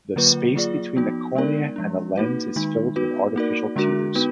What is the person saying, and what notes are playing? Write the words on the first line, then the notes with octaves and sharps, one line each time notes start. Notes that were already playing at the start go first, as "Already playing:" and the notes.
The space between the cornea and the lens is filled with artificial tears.
D3 F#3 A#3 F4 B4
F#3 A#3 F4 G#4 D5
F3 B3 D#4 F#4
G#3 B3 D#4 A#4 D5
F3 G#3 D4
A#3 D#4 F#4 B4
D#3 G#3 D#4
B3 D#4 F#4 B4
A#3 D#4 F#4 A#4 D5
D3 G#3 D4 F#4 A#4
B3 D#4 F#4 B4